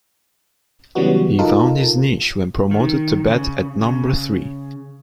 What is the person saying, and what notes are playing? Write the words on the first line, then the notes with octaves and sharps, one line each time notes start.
He found his niche when promoted to bat at number three.
C#3 E3 F#3 G3 B3 F#4
D#4 F4 A4 A#4
D#3
C#3
C#3